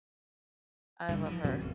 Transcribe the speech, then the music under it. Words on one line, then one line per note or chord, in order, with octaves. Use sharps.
I love her.
G2 D3 D#3 G3
E3 F3
A2 F#3 B3 C#4
G#1 F2